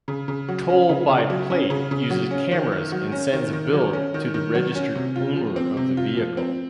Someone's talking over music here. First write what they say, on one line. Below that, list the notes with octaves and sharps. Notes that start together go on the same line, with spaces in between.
Toll-by-Plate uses cameras and sends a bill to the registered owner of the vehicle.
C#3
C#3
F#3
C#4
C#3
C#3
F#3
C#4
C#3
C#3
F#3
C#4
D#3
D#3
F#3
C#4
D#3
D#3
F#3
C#4
D#3
D#3
F#3
C#4
C3
F4
F3
C4
C3
F4
F3
C4